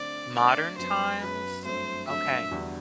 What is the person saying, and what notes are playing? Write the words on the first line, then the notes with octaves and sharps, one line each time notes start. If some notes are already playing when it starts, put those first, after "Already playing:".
modern times? Okay.
Already playing: D3 A3 C4 D5
D3 A3 C4 D5
F#2 F#3 B3 C5
F#2 F#3 B3 B4
G2 F#3 A3 C4 C5
G2 F#3 A3 C4 E5
E2 D3 G3 D4 F#4